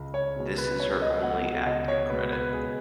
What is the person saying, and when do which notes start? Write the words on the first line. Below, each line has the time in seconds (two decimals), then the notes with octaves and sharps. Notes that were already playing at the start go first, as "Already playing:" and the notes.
This is her only acting credit.
Already playing: C#2
0.14 C#5
0.36 B2 G#3 B3
0.58 B4
0.79 C#2 C#5
1.02 D#5
1.22 B2 G#3 B3 F#5
1.44 F#5
1.66 C#2 D#5
1.88 C#5
2.10 B2 G#3 B3 B4
2.32 B4
2.53 C#2 G#4